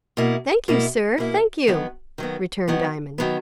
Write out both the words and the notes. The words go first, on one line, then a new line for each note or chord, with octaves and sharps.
"Thank you, sir, thank you," returned Diamond.
B2 A#3 E4
B2 A#3 E4
B2 A#3 E4
D#3 F#3 B3
D#3 F#3 B3
D#3 F#3 B3
D#3 F#3 B3